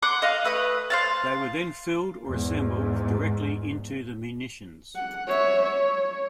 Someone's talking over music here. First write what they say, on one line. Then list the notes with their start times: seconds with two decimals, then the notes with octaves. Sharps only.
They were then filled or assembled directly into the munitions.
0.02 F#5 C6 D6 F#6
0.22 D#5 F5
0.45 A3 B4 D#6 F#6
0.90 C5 F5 A5
2.27 E2 G#2
4.96 F#5
5.27 C#5 E5
5.62 C#5